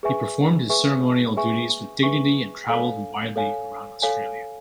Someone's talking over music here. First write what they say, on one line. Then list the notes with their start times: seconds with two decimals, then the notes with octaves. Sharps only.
He performed his ceremonial duties with dignity and travelled widely around Australia.
0.03 G#4 B4 E5 G#5 C#6
0.69 G#4 B4 E5 G#5 C#6
1.37 G#4 B4 E5 G#5 C#6
2.03 G#4 B4 E5 G#5 C#6
2.69 A4 C#5 F5 G#5
3.36 A4 C#5 F5 G#5
4.02 A4 C#5 F5 G#5